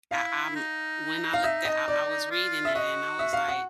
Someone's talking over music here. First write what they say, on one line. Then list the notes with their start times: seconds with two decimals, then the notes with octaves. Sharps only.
I, um when I looked at I I was reading it and I was like,
0.11 E4 F5
0.56 D#4
1.34 F5
1.44 E5
1.65 D#5
1.88 D5
2.31 F4
2.65 E5
2.75 F#4 D#5
3.19 E5
3.33 F5
3.48 F#5